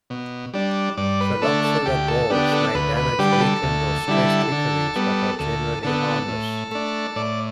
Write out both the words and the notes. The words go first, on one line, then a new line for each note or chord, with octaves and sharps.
"Phylloxera" galls may damage weakened or stressed hickories, but are generally harmless.
B2
G3 D4
G2 D5
B4
D3 A3 D4 A4
A4
D2 G4
A4
D3 B3 D4 G4
A4
D2 B4
B4
D3 G3 G4
B4
A4
D2
D3 G3 E4
D3
G3 B3
D2 A4
D3 B3 A4
A2
A3 D4
A2 D5